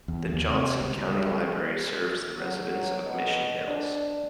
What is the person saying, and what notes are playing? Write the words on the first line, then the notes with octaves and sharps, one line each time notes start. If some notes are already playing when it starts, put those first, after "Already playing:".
The Johnson County Library serves the residents of Mission Hills.
E2
D#2
C3
C#2
G3
G3
F#3
B2
D4